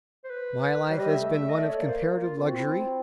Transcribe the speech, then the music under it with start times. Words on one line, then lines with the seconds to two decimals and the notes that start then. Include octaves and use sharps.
My life has been one of comparative luxury.
0.24 C5
0.30 B4
0.89 G3 C5
0.99 D#5
1.09 E5
1.20 A3
1.34 E5
1.49 D#5
1.59 D5
1.69 C#5
1.79 A#3 D5
1.88 C5
2.23 F4
2.38 C4 F4
2.48 F#4
2.58 E4
2.68 F4
2.78 E4